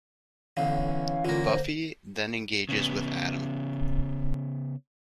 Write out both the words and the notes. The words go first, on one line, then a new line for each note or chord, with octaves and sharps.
Buffy then engages with Adam.
B1 D3 E3 C#4 F5
D3 A#3 F4
C5
C#3 B3